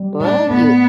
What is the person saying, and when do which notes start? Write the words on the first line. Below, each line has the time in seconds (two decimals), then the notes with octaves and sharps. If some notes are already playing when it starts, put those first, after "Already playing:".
Well, you
Already playing: G3
0.20 A2 D4
0.50 A2 B3